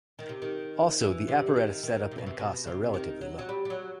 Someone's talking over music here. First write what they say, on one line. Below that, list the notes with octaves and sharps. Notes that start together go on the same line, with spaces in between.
Also, the apparatus set-up and costs are relatively low.
D#3
C3
D#3
E3
C3
C3
D#3
D#3
C3
B2
C3
B2
C3
D#3
F#3
F#3
G3
G3
F#3